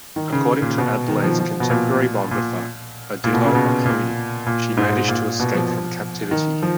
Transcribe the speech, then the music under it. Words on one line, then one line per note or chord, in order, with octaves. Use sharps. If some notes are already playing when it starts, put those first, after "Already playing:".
According to Adelaide's contemporary biographer, Odilo of Cluny, she managed to escape from captivity.
D#3
C#3
A#2
B2
D#3
F3
F3
B2
A#2
A#2
A#2
B2
C#3
B2
A#2
A#2
G#2
A#2
B2
F3
D#3
F3